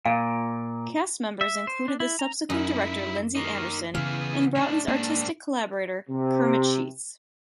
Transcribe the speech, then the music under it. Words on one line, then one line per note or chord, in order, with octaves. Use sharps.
Cast members included the subsequent director Lindsay Anderson and Broughton's artistic collaborator Kermit Sheets.
A#2 F5
E5
C5
D4
E4
A#5
F#2 D#4 E4
A#3 D#4
C#3 E3 B3 G#4 F5
A2 D4
G#2 A#3 D4
C3